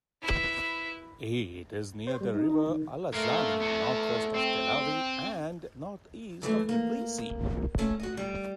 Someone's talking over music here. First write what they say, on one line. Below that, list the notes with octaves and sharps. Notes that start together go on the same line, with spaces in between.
It is near the river Alazani, northwest of Telavi and northeast of Tbilisi.
E4 B4
C5
G3
D#4
D#4
D#3
A3 A#3 F4
E2 B3
C4
F#2 E3 G#3 A3
A#3
A#2 A3 C#4
F#4 D#5
G3